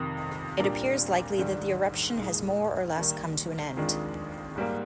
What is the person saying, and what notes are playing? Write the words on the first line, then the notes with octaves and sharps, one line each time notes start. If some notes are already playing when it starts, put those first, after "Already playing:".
It appears likely that the eruption has more or less come to an end.
Already playing: F2 C3 D#3
A#2 G3 D4 G4 A#4
G#2 D#3 G3 D4
A#2 G#3 D#4
D#3 G3 A#3
F2 D#3 G#3 D4 F4
G#2 G3 A#3